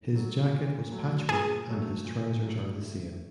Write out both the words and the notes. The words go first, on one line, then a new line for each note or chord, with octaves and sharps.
His jacket was patchwork and his trousers are the same.
F#3 A3
A#2
F#3 A3
A#2 G#4
F#3 A3
A#2
F#3 A3
A2